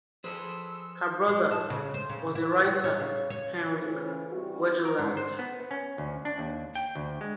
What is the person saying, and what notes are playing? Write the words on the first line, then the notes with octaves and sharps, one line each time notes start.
Her brother, was the writer Henrik Wergeland.
F3 G#4 A4 B4 C5 C6 E6
G#3
A4
C#3
C5
C#3
E4
G3
C#5
C#3
C#5
A2 C#3 E3 C#4 F4 C5
E3 G3 C4 F#4
A#4
G#2
C5
B3
C#4
D2
D4
D#2
G5
D2
G#3